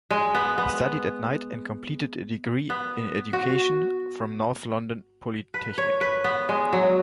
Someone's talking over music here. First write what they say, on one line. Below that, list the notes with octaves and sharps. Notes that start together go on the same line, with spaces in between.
He studied at night and completed a degree in education from North London Polytechnic.
G#3
B3
B3
B3
F#4
B4
C#5
B4
B3
G#3
F#3